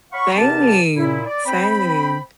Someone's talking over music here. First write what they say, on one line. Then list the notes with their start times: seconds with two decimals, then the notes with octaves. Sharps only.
Same, same.
0.12 C#5 F5 F#5 B5 C#6
0.36 E2 C3 C4 G4 A#4 A5
0.94 A#2 E4
1.27 D5
1.46 C4 G5 B5